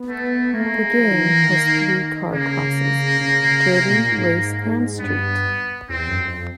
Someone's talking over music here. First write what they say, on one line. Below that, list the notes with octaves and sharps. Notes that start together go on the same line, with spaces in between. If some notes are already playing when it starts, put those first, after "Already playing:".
The game has three car classes: derby, race, and street.
Already playing: B3
A3
A3 A#3
A3
G#3
F3
D#3
E3
D#3
C#3 A#3
C#3
C#3
C3
A#2
G#2
G2 B3
E2 C4
F#2
F2